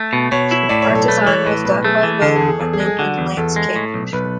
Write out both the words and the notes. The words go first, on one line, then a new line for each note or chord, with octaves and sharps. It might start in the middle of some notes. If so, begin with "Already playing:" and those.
Art design was done by Will Putnam and Lance King.
Already playing: A3
B2
B2 C#5
E4
A2 D5
C#5
B1
A4
A3 B4
E3 C#5
A2 B4
B1 B4
A3 G#4
E3
D3 A4
G#4
E2
G#4
E2 A4
G#4
G#3
G#4
D3 F#4
E2
E2 A4
G#3
A2
B1
B1 B4